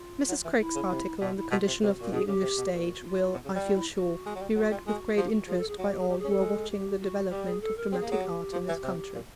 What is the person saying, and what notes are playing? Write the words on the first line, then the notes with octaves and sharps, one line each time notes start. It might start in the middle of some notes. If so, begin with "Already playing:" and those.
Mrs. Craik's article on the condition of the English stage will, I feel sure, be read with great interest by all who are watching the development of dramatic art in this country.
Already playing: F4
F#3
E3
E4
C#3
C3
B2 F4
E4
B2 F4
C3
C3 F#4
A#2 F#4
B2 G#4
C#3 G4
C3
B2
A#2 F#4
F4
B2
C#3
G3
F4
E4
F#4
G#3
F#3
G3
F#3 F#4
G3 F4
G#3 F#4
F3 F#4
G4
F#4
F3 G#4
A4
G#4
F#3 F#4
G4
G#4
G3 G4
G#4
C#4
A4
G#3
G4
F#4
G3 G4
G#4
A4
A#4
C4 G#4
A#3
F#3 G#4
G4
F3
E3
C3
A#2